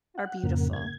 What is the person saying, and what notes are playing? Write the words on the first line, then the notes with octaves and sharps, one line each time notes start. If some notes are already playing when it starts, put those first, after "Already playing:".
are beautiful.
F#5
F2 G#2 C#3 A#3
G#6